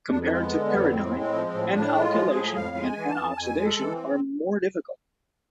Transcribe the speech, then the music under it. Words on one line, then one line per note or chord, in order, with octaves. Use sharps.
Compared to pyridine, "N"-alkylation and "N"-oxidation are more difficult.
F2 D4
D4
G#3 C4
B3
D3
B3
F2
A2 C4
G#3
C4
F3
C4
A2
A2 D4
G#3
F4
F3
G#4
A2
F2 F5
G#3
G#5
E3
A5
F2
F2 G#5
G#3
A4
E3
C4